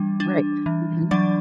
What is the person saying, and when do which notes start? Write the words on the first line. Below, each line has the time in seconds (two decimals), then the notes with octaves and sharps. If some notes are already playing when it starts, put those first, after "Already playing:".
Right. Mhm.
Already playing: E3 G3 D4
0.20 D4
0.66 E3
1.11 F#3 D4 D5